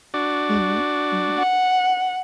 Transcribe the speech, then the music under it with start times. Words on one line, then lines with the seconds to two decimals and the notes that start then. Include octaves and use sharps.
Mhm, mhm.
0.14 D4 F#4 D5
1.38 F#5